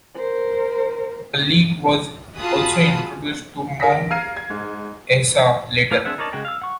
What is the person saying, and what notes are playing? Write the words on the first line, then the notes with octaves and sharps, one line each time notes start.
A league was also introduced to Mount Isa later.
A#4 C5
F4 F#4 G#4 A5 B5 D#6
A#1 A#4 D#6 A#6 B6
D7
F5 A#5 F6 G#6 C7 D#7
G#6
G#2
A3 A#3 E4 F5
C4 D4 G#4 E5 F#5
D#4 A#4 C#5 D5 A5
C#3 G#3 F#4 G5
F5 E6
F#5 C#6